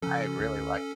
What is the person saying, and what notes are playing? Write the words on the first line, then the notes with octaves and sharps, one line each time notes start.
I really like
C#3 F3 C#4 A4
D2